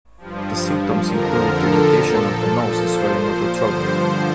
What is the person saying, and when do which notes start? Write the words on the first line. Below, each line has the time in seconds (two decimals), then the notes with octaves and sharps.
The symptoms included irritation of the nose and swelling of the throat.
0.18 G2 F3
1.04 F2 D3 F3 A#4
1.48 A4
1.92 A#2 F3
2.34 A4
2.77 A#2 F3 C5
3.20 C5
3.63 G2 D3 F3 C5